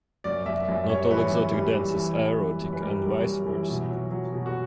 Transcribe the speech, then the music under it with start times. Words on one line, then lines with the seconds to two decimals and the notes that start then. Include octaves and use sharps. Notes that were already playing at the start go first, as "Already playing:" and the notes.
Not all exotic dances are erotic, and vice versa.
0.24 F#2 D5
0.46 F#2 E5
0.68 F#2
0.89 G3 C#5
1.04 C#5
1.10 E3 B4
1.32 F#2
1.53 G3
1.75 E3
1.97 E3
2.18 G3
2.39 F#2
2.61 F#2
2.73 B4
2.82 G3 A#4
3.04 F#2
3.25 F#2
3.47 E3
3.69 B2
3.90 F#3
4.11 F#3
4.32 B2
4.46 F#4